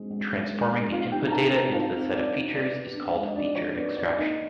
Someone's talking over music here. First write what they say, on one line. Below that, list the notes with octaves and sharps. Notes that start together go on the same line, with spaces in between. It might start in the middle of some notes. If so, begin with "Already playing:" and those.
Transforming the input data into the set of features is called feature extraction.
Already playing: G#3 C4
G#3
G#3
G#3
G#3
C4 F4 F5
D#4 G4 G5
A#5
D#4 A4 A5
C4 A#4 A#5
D#4 F4 F5
C4
C4 D5
D#4
B3 D5
B3
D4
G#3
D#5
D4 D5
F3 C#5
B3 D5
B3 D5
A#3 D#4 D#5